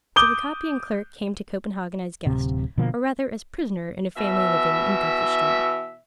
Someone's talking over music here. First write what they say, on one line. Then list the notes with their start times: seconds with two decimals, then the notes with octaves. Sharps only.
So the copying-clerk came to Copenhagen as guest, or rather as prisoner in a family living in Gother Street.
0.16 D6 D#6 G6 G7
2.27 D1 C3
2.78 B2 D3 F3 A#3
4.16 B2 E3 E5